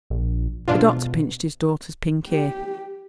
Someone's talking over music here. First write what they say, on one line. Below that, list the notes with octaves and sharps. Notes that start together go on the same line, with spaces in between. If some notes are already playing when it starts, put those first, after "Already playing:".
The doctor pinched his daughter's pink ear.
A#1
G#2 B2 D4 F4
G4